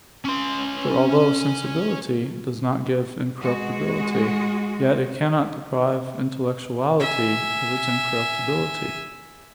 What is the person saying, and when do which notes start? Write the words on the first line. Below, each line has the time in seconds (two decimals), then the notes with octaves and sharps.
For although sensibility does not give incorruptibility, yet it cannot deprive intellectuality of its incorruptibility.
0.25 C#4 C6
3.40 G#3 F#4
7.00 E5 G#5